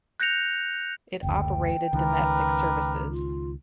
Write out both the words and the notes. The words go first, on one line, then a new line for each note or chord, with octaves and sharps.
It operated domestic services.
F#6 G6 A#6 C#7 F7
F#1 D2 G5
C#2 D#3 A#4 B4 D6
F4